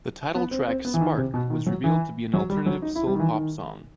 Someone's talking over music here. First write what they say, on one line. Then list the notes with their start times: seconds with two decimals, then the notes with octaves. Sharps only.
The title track "Spark" was revealed to be an alternative soul pop song.
0.35 B3
0.51 C4
0.67 C4
0.85 B3
0.94 E3
1.01 D#3
1.17 C3
1.34 B2
1.50 D#3
1.67 F#3
1.84 E3
2.34 F#3
2.50 G3
2.66 F#3
2.82 D#4
2.95 E4
3.07 G3
3.15 D#3
3.20 E3
3.32 D#3